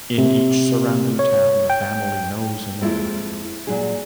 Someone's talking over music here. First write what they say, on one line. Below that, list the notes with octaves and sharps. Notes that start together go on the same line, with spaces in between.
In each surrounding town, the family knows another.
C3
C#5
G5
F2 G#3 A#3 E4 F4
A#2 F#3 D#4 G#4